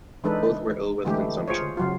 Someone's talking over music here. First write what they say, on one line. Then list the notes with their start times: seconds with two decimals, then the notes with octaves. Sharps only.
Both were ill with consumption.
0.24 E3 G#3 D4 D#4 A4 B4
1.05 D3 E3 G#3 A3 G4
1.48 F4 G#4 C5 C#5
1.77 C#3 F#3 F4